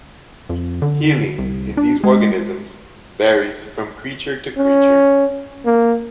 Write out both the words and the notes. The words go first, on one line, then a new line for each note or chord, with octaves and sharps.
Healing in these organisms varies from creature to creature.
F2
D3
C2
D4
G#3
C#4
A#3